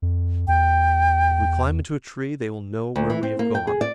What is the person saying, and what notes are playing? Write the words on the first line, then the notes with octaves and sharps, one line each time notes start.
If we climb into a tree they will know where we have gone.
F2
E2 G5
D2
E3
C4
A#3
G5
G#4
D5